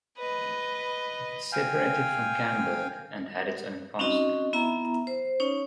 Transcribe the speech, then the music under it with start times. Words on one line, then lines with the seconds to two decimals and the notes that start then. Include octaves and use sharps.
It separated from Camberg and had its own pastor.
0.18 B4 D#5
1.52 F5 G5 G#5
3.99 C4 C#4 D#4 F#4 D#5
4.53 B3 E4 E5 A#5
5.07 C5
5.40 C#4 D#4 C#5